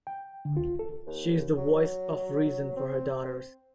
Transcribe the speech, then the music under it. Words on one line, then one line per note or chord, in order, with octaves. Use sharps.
She is the voice of reason for her daughters.
G5
D3
F4
A4
D#2
F#3
C4